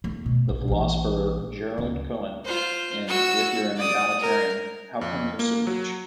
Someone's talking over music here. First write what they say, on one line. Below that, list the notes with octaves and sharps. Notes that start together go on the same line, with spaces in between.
The philosopher Gerald Cohen, in If You're An Egalitarian, How Come You're So Rich?
D#2 A3
B2
A#1
A#1 E3
D2 C#3
F4 C5
F#4 E6
D5 D#6
A#4
F2
A#3
F#3